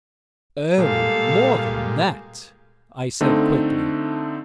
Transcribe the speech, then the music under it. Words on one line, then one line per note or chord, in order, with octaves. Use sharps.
"Oh, more than that," I said quickly.
A#2 G3 G#3 A4 F5
D3 A3 C4 D#4